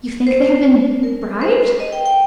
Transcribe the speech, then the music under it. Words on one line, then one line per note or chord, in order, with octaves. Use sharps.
"You think they have been, bribed?"
C5
A#4
C5
D#5
G5
G5